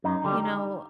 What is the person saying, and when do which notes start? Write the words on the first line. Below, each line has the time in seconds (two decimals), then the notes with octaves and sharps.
you know,
0.04 F#2 D#4
0.24 D3 G3